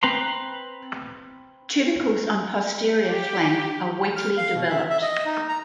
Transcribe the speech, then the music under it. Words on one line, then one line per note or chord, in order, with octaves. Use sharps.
Tubercles on posterior flank are weakly developed.
C4 B4 A#5 C6
G4
F6
F5
B2
E5
E5
D#5
D#4
A#5